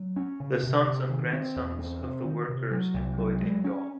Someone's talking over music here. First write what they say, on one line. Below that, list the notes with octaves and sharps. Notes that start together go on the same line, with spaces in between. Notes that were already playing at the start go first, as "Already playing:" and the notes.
The sons and grandsons of the workers employed in Joh.
Already playing: F#3
C#4
C#3
C3
C3
D#3
C4
E2
C4
C3
D#3
C3
F#3
C2
F#3
G#3
C#4